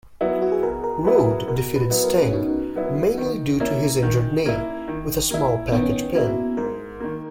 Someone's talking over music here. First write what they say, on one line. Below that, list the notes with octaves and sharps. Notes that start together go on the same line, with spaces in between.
Rude defeated Sting, mainly due to his injured knee, with a small package pin.
F#3 B3 E4
F#4
G#4
B2 A#4
A#4
F#3 B3 E4 B4
A#4
B2 A#4
B4
F#3 B3 E4
A#4
C#4
B2 D#4
F#3 B3 E4
D#3 D#4
A#3 C#4 E4
D#3
A#3 E4
D#3
A#3 E4
D#3 B3
C#4
B3
A#3 E4 F#4
G#2 A#4
D#3 A#3